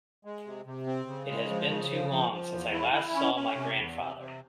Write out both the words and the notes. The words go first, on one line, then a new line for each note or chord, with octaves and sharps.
It has been too long since I last saw my grandfather.
G#3
C3
C3
C4
C#3
G#3
F3
C#3
F3
F3
F3
E2
E4
E4
C#4
C#4
C3
E2
C3
C3